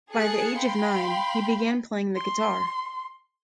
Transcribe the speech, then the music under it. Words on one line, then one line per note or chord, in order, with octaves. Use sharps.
By the age of nine, he began playing the guitar.
G#4 A4 A5 F#6 C7 C#7
F5 G5 B5 C6
C6